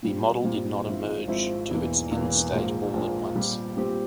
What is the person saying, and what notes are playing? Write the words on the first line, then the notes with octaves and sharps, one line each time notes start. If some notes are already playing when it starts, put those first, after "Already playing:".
The model did not emerge to its end state all at once.
A#2 G3 C4
A#2 G3 C4
G#1 G#2 F3 C4 E4
G#1 G#2 F3 C4 E4
E1 E2 E3 A#3
E1 E2 E3 A#3
A#1 G#2 F3 A#3
A#1 G#2 F3 A#3
A#2 G3 C4 G4
A#2 G3 C4 G4